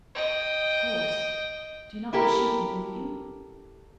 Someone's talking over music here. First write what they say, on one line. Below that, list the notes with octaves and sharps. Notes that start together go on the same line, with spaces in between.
"Of course; do not the sheep know you?"
D#5 G5
E4 G4 A4 A#4